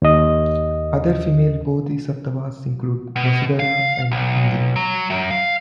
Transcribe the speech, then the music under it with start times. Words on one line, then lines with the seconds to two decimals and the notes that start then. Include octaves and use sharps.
Other female Bodhisattvas include Vasudhara and Cundi.
0.02 D#2 D#5
3.16 B2
3.60 F5
4.12 B1
4.76 F#3
5.10 F#2
5.31 F5